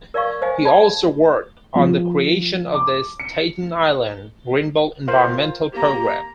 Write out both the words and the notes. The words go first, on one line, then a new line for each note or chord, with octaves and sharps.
He also worked on the creation of the Staten Island Greenbelt environmental program.
A#4 D5 D#5 F5 C#6
C5 D#5 F5 G#5
D5 A5 B5
F3
D6
C#7
F4 A#4 C5 F5
A#3 G4 A#5